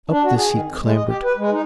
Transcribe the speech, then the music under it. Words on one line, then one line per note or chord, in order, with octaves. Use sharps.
Up this he clambered.
D4
F#4
G#4
D#3
F2
G#3
D#5
G4
B4
G#3
D#4